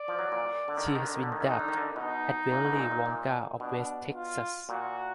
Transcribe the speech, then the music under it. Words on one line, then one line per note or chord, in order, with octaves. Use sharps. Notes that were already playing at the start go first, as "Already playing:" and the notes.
She has been dubbed the "Willy Wonka of West Texas".
Already playing: D5
F3
F#3
A#2
D3
D#3
D3
D#3
D3
D#3
D3
D#3
D3 D#4
D#3
D3
D#3
D3
B2 D#4
A#2
B2
G#2
A#2
A#2
A#2
B2 D4
F4
A#2 F#4